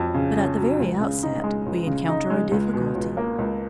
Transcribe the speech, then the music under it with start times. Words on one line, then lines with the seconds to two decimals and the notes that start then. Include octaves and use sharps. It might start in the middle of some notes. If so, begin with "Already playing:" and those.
But at the very outset we encounter a difficulty.
Already playing: F2 F#3
0.14 C#3
0.37 C#4
0.58 F#3
0.80 C#2
1.01 C#3
1.23 D#4
1.44 G#3
1.66 C#2
1.87 C#3
2.09 D#4
2.30 G#3
2.51 C#2
2.74 B2
2.95 C#2
3.17 A#3
3.38 C#2